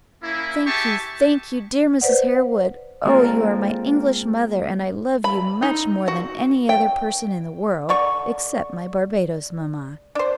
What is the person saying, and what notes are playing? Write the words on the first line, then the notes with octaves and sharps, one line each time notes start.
"Thank you, thank you, dear Mrs. Harewood! oh, you are my English mother, and I love you much more than any other person in the world, except my Barbadoes mamma."
A#3 C#4 E4
G4 G#4 E5 A5 C#6
B4 C5 D5 F#5
G#3 A#3 C4 F4 A4 A#4
B5
D#4
F#4
G5
D3 D5 C#6
D4 C5